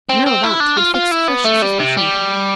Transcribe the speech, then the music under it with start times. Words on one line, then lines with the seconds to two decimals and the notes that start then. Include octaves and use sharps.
To know that would fix fresh suspicion.
0.09 C4
0.26 C4
0.43 E4
0.60 D4
0.77 F4
0.94 F4
1.11 E4
1.28 B3
1.44 A3
1.62 G3
1.79 C3
1.97 G3